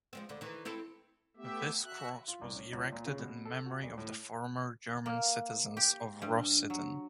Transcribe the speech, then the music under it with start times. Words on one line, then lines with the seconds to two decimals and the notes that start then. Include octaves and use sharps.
This cross was erected in memory of the former German citizens of Rossitten.
0.13 F3 G#3 C4
0.29 D2 D3
0.41 D#3 E3
0.65 C4 E4 A4
1.37 A3 B3 G4 E5
1.83 F#4 E5 F#6
2.28 F4
2.41 C2
2.56 C#4
2.73 C#2
2.92 A#2
3.06 C#3
3.19 B2
3.45 A4
3.66 F#4
3.83 D2
3.98 A2
5.06 A#3
5.77 G4
6.22 G2
6.70 F#3